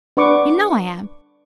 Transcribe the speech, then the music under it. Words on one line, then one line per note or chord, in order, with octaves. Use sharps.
You know I am!
D4 B4 D5 F#5 C#6 D6